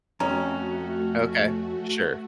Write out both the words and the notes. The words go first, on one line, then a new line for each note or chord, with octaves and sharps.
Okay. Sure.
F2 A3 C#4 F#4 A#5